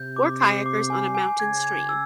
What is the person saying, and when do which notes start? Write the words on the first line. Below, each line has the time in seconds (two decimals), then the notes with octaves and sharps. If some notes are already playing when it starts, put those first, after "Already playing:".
Four kayakers on a moutain stream.
Already playing: C3 G6
0.16 D6
0.40 C7
0.66 D6
0.90 G#5
1.15 G#5
1.39 C#3 G#6
1.64 G#6
1.89 E6